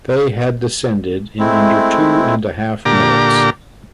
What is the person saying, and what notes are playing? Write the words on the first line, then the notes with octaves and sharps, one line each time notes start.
They had descended in under two and a half minutes.
G#3 A3 C4 E4
A#2 D3 G4 A#5 D6